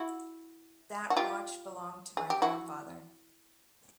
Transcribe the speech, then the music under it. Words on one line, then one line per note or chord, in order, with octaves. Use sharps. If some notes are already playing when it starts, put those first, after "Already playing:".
That watch belonged to my grandfather.
Already playing: E4 F#4
F#4
F4 G4
G#4
G4
E4 F#4